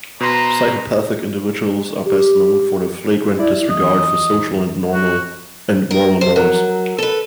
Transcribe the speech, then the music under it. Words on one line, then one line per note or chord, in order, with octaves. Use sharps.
Psychopathic individuals are best known for their flagrant disregard for social and moral norms.
B2 B4 C5 A#5 C6
G4
E4 D5
E2 D#5
F#4
A#4
C5
F#3 A#4
A4 B4